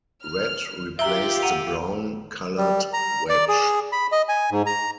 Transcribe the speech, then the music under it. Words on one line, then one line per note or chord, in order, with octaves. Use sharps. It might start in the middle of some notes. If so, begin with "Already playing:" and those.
Red replaced the brown-colored wedge.
F6
F4 G4 E5 A#5 E6 G7
F#5 A#5 C#7 D#7 F7
G3
A#5
D5
G#4
B5
D#5
G#5
G#2
A#5